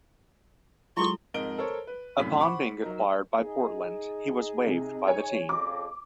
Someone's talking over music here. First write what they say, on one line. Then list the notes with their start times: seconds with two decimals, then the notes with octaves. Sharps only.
Upon being acquired by Portland, he was waived by the team.
0.97 F#3 G#3 E4 F4 A4 C6 C#6
1.34 F2 G#2 A#4 D#5 D7 G7
1.58 A4 A#4 C5 C#5
1.87 B4
2.18 C2 F#2 A2 B6
2.40 C5 F#5 B5 C#6 D6
2.82 F#3 D#4 A#4
3.38 D#4 G#4
4.67 C3
5.08 C#5 G#5
5.49 F2 C#3 D6